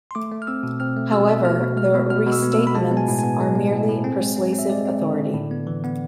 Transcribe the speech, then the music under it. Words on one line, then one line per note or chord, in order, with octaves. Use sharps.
However, the Restatements are merely persuasive authority.
C6
A3 D6
A3
F6
C4 E6
B2
C4 F6
A3
B2 E6
A3
B2 F6
B2
G#3 F6
B2
B2 F6
B2
E6
B3
E6
B2
B5
G#3 A5
B3
G#5
A2
B3 G#5
G#3
B3
A2
A2
C4
G#3
C4
C4
E5
G#3 D5
C4
D3
D3
A2
B3
E3
B3